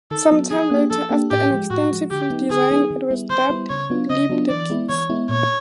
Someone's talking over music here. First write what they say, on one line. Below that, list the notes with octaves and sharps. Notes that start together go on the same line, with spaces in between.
Some time later, after an extensive re-design, it was dubbed, "Leap The Dips".
D#3 A4
F#3 B3
F3 G#4
A#3 D4 G4
F3 A4
A#3 D4 G4
A2 G4
F3 G#3
A2 F#4
F3 G#3
D3 G4
F#3 B3 D#4
D3 G#4
F#3 B3 D#4
D#3
G3 B3 E4
D#3 C5
G3 B3 E4
C#3 C#5
F#3 B3 D4 F4
C#3 D#5
F#3 B3 D4 F4
E3 D5
G#3 B3 E4
E3 C#5
G#3 B3 E4
A#2 C#5